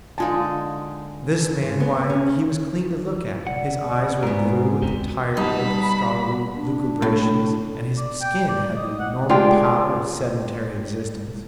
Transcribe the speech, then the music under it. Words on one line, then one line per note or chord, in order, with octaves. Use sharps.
This man--why, he was clean to look at, his eyes were blue, with the tired look of scholarly lucubrations, and his skin had the normal pallor of sedentary existence.
D3 G#3 D#4 F4 G#5 A5
A4
G#2
B3
C#4
C3 D5 F#5
G#2 B3 G#4 A#4
E2 C3 G#3 C4
G3 B3 D#4 A5 B5
D4
A2
D5
G5
D5
D#5
F#5
G#3 D4 F4 G4 G5